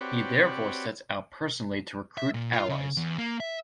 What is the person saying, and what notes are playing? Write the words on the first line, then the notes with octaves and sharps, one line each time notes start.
He therefore sets out personally to recruit allies.
C4 F#4 G4 B4 C#5 D5
E5
A#2
F4
C#3
E2
A#3
E5